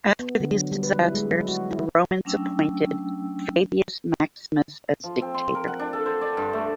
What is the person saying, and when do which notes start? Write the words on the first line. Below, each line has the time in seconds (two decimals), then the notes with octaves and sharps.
After these disasters the Romans appointed Fabius Maximus as dictator.
0.19 B3
0.40 D3
0.52 F#3
0.72 G3
0.83 B4
1.01 E4
1.15 G#3
1.33 F#3
1.48 F#4
1.71 E4
2.25 F#3 A3 C#4 D4 G5 E6
5.04 F3
5.22 C4
5.34 C6
5.55 A#4
5.68 F#5
5.79 D4
5.93 A4
6.06 C5
6.21 D5
6.37 G2
6.53 A3